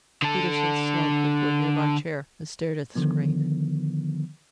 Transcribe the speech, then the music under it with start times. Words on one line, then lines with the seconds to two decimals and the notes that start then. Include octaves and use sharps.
Peterson slumped into a nearby chair and stared at the screen.
0.22 D3 A4
2.95 D3 D#3 F3 B3